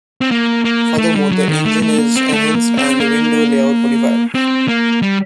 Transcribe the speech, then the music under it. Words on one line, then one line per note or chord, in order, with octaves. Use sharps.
Furthermore the engine is enhanced and the window layout modified.
C4
A#3
A#3
A3
G3
F#3
D#3
A3
A3
A#3
C4
A3
A#3
C4
A#3
C4
A#3
G3